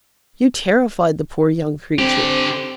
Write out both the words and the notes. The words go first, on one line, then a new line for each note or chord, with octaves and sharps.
You terrified the poor young creature.
D3 C4 G4